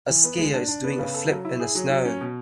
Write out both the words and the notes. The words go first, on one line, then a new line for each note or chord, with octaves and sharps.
A skier is doing a flip in the snow.
E3
B3
G#3
D4
D4
B3
C#3
A4
F#3
E4
G#4
F#3
F#3
C#4
B2